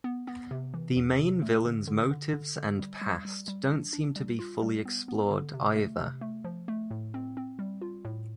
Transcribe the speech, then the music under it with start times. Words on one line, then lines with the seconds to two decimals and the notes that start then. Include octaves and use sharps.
The main villain's motives and past don't seem to be fully explored, either.
0.04 B3
0.27 B3
0.51 C3
0.74 E3
0.96 E2
1.19 C3
1.42 A3
1.65 D3
1.87 D3
2.11 D3
2.33 D3
2.56 D3
2.79 G3
3.01 G3
3.25 G3
3.48 G3
3.70 D4
3.93 D4
4.16 G3
4.39 F4
4.62 G3
4.85 B3
5.08 B3
5.31 D3
5.54 C3
5.76 A3
6.00 C3
6.21 A3
6.45 F3
6.68 A3
6.91 A2
7.14 C4
7.37 C4
7.59 G3
7.82 F4
8.05 A2